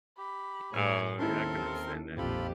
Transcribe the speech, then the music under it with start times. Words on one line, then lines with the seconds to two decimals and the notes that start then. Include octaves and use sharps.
Oh, yeah, I can understand that.
0.18 G4 B5
0.73 A2 G#4 C#5 G#5
1.19 D#2 C4 C#4 D#4 E4 A4 A#4 C6
2.18 A#1 F2 F4 G4 A4 B5